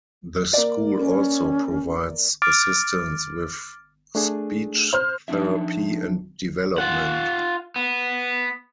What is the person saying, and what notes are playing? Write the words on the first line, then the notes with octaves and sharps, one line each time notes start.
The school also provides assistance with speech therapy and development.
A#3 D5
C#4
D6 F6 A6 D7
A3 D4 G#4
C5 F6
F3 D4 D#4 E5
F4 F#5
B3